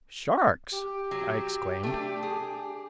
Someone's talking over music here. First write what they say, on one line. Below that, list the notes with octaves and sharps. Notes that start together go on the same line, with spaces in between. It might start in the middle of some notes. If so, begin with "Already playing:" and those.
"Sharks?" I exclaimed.
G4
F#3
A3 D4
G#4